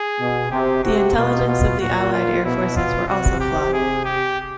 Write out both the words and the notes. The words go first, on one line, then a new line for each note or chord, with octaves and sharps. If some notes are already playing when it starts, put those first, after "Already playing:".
The intelligence of the Allied Air Forces were also flawed.
Already playing: G#4
B2
C3 G4
C3 F#4
B2 F4
F4
A#2 F#4
F4
B2 E4
F4
C3 F#4
G4
G#4
G4